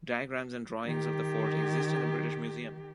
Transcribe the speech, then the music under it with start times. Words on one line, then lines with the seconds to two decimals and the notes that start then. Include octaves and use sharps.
Diagrams and drawings of the Fort exist in the British Museum.
0.85 D#3 G4